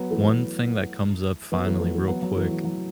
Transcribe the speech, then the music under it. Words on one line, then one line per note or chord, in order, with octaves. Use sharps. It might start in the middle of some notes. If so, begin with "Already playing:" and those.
one thing that comes up finally real quick
Already playing: F#3 B3
E3 A3
F#3 B3
E3 A3
E3 A3
E3 A3
F#3 B3
F#3
E3 A3
E3
F#3